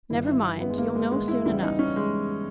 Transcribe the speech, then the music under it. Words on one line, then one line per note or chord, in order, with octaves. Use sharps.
'Never mind; you'll know soon enough.
G1 G2 D#3 G3 E4
E4
B3
G#3
A#3
G#3
G#3
E4
E2 C#3 G3 E4
D#4
C#4
G#3